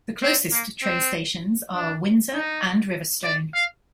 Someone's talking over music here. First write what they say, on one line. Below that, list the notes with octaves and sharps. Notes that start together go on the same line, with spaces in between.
The closest train stations are Windsor and Riverstone.
C4
A#3
C4
D4
D#4
D5
F5